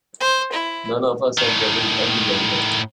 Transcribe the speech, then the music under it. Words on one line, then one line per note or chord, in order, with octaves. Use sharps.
None of us are getting any younger.
C5
E4
A2 D#3